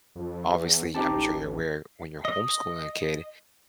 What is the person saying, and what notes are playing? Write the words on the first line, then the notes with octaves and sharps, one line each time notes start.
obviously, I'm sure you're aware, when you're homeschooling a kid,
F2
E2
C4 D#4 G4 A5
A1
D#5